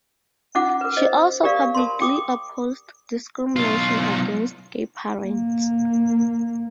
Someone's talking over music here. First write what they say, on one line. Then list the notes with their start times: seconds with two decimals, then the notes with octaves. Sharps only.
She also publicly opposed discrimination against gay parents.
0.55 C#4 D#4 F4 F#5 D6
0.81 A#4 B4
0.97 C5 D#5
1.44 G4 A#4 D5 F5
1.75 A#4 A5 B5 C6
2.00 G5 D6 D#6
3.56 B1 F4
5.22 A#3